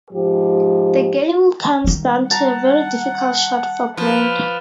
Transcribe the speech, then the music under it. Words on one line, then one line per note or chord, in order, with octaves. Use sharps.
The game comes down to a very difficult shot for Brad.
G#2 F3 G4
D#3 G3
F#5 A5 A#5
F3 B4